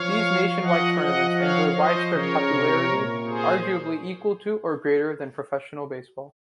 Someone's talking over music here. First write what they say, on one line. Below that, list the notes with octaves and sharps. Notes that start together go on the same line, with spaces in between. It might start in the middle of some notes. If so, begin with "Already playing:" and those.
These nationwide tournaments enjoy widespread popularity, arguably equal to or greater than professional baseball.
Already playing: F3 C#5 F5
F3 D#5 F#5
F3 D#5 F#5
C#5 F5
F3 C5 D#5
C#3 A#4 C#5
C3
A#2
G#4 C5